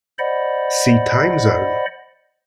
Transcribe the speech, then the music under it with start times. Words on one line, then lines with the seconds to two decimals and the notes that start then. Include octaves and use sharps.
See Time zone.
0.19 C5 D5 D#5 F#5 B5